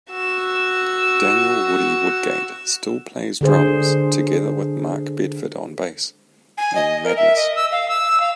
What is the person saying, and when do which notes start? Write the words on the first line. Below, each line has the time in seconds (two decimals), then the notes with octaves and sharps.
Daniel "Woody" Woodgate still plays drums, together with Mark Bedford on bass, in Madness.
0.11 F#4 E6
3.41 D3 G#4 C5
6.58 G#5
6.75 D#5
7.04 A#4
7.17 E5
7.36 D#5
7.56 E6
7.72 F5
7.88 E6
8.20 F5